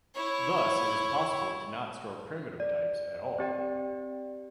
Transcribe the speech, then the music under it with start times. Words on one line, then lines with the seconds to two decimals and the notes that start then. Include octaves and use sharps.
Thus, it is possible to not store primitive types at all.
0.15 E4 C#5
2.60 D5
3.39 C4 G4 D5 G5